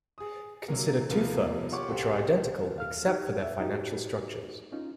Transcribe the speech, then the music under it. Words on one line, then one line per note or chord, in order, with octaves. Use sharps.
Consider two firms which are identical except for their financial structures.
G#4 D#6
C3 F#3 A#3
D#2 C3 F3 A#3 B3
F4 G4 C#5 F#5 C#6 D6
C2 G4 A4 C5
D#2 F5 F6
D#4 G4
E5
D#4 F#4 G4
C#4 D#4 F4